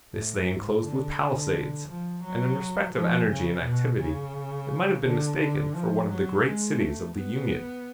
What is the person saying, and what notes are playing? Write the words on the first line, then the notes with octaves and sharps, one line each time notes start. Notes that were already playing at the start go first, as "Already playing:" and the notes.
This they enclosed with palisades; and in respect of energy and activity, it might have been mistaken for one of the great cities of the Union.
A2
G#2
D3
D3
F3
F#3
F3
C#3
B2
C#3
D3
D3
F3
F#3
G#3
A3
B3